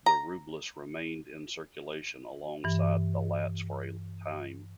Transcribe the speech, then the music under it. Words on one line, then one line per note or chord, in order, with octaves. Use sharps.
The rublis remained in circulation alongside the lats for a time.
A#5
G2 E3